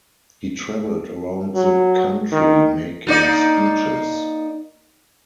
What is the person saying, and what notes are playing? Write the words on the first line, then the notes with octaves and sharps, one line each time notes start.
He traveled around the country making speeches.
F#3
D#3
A#3 D#4 D5